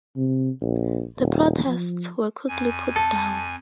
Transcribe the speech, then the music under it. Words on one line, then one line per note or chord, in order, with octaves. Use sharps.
The protests were quickly put down.
C3
A#1
D#1
F3
F2 G#5
A4